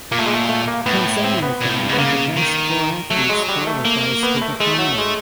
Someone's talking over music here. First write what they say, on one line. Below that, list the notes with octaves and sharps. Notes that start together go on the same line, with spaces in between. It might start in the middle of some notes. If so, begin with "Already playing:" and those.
From semifinal the best four athletes qualifies to the final.
A#2 A#3
A3
G#3
A3
A3
A#3
A2 B3
C4
B3
A#2
A2
G2
G#2
B3
C#3 A#3
D#3
F#3 A3
G#3
G3
A3
A#3
B3
A3
G#3 A3
F#3
G#3